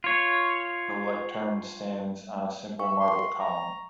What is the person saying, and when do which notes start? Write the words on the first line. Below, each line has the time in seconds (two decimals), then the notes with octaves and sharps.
The lectern stands on a simple marble column.
0.04 F4 C#5
2.80 E5 C#6
3.00 C6
3.40 A#5